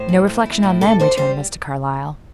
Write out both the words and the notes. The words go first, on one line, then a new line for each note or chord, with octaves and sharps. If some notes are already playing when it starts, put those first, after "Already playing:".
"No reflection on them," returned Mr. Carlyle.
Already playing: A2 C5
E3
A3
E4
A2
D3 A4
D3 C5
G3 C5